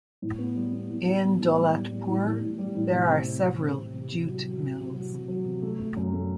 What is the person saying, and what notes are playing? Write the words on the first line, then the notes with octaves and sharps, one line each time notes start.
In Daulatpur there are several jute mills.
A2
B3
G3
B3
A2
A2
B3
A2
G3
A2
G3
A2
A2
A2
G3
A2
C3
C4
C4
C3
C4
C3
C3
C3
F#3
F#3
C3
C3
F#3
C3
F#3
C3
A3
A3
F#2
A3